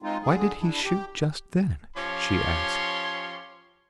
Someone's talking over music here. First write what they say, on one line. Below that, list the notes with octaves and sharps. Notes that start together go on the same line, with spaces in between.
"Why did he shoot just then?" she asked.
G#3 C4 D#4 F4
D3 G#4
D4 E4
G4
F3 C#4 G4 C#5 C6